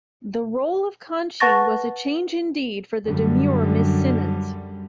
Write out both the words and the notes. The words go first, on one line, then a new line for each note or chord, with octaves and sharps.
The role of Kanchi was a change indeed for 'the demure Miss Simmons.
B4 F#5 A5 C#6 A6 A#6
F#2 D3 G3